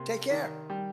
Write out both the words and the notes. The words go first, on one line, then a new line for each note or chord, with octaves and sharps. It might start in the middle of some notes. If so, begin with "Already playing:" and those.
take care.
Already playing: C3 A#3
D#3
G3